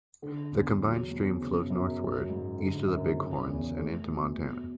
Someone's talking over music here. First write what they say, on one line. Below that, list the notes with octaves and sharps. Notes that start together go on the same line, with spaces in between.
The combined stream flows northward, east of the Bighorns, and into Montana.
D3
E2
F#3
B2
C#3
F#2
F#3
G#2
D3
F#2
C#3
E2
A3
B2
B2